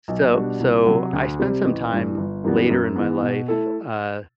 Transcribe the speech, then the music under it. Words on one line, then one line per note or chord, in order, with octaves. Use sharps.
So so I spent some time later in my life, uh,
B1
B2 G3 D4 F#4
C2
C3 F#3
D2
C3 G3 C4 G4
A1
G2 E3
G1
F#2 E3 G3 B3
F#2
E3 B3
B2
A3 E4 A4